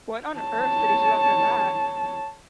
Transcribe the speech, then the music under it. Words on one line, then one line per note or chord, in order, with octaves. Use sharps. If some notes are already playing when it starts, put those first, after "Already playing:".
What on earth did he do after that?
C#5 A5